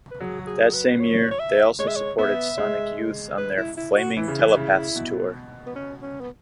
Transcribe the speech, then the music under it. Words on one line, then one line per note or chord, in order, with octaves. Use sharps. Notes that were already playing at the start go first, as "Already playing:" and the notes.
That same year, they also supported Sonic Youth on their "Flaming Telepaths Tour".
B4
F#3 G#4
F#4
G#4
G#4
B4
B4
C#5
C#5
E5
G#3 C#5
E5
C#5
B3 E5
G#3
B4
E4
E4
F#4
E3 E4
C#3
E3
C#3
B2
B3
C#4
C#4
B3